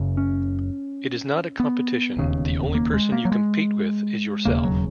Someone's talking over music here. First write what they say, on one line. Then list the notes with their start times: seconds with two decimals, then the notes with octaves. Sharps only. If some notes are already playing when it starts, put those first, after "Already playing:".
It is not a competition, the only person you compete with is yourself.
Already playing: F#1 F#2 C#3
0.17 C#4
1.60 B3
2.17 E1 D#2 C#3
2.75 A#3
2.94 G#3
3.12 A#3
3.25 F#3
3.32 G#3
4.45 E1 D#2 C#3 A#3
4.64 F#3